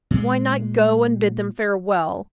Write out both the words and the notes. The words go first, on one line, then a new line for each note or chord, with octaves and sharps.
Why not go and bid them farewell?
A#2 G#3